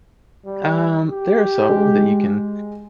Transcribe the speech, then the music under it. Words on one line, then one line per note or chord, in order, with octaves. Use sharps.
Um, there are some that you can
G3
G4
G#3